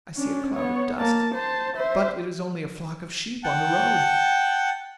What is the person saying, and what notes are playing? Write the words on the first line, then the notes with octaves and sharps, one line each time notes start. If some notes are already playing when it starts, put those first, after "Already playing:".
"I see a cloud of dust, but it is only a flock of sheep on the road."
C#4 D4
B3 C#5
A#3 A5
C5 A5
C5 E5
F#5 G5 A5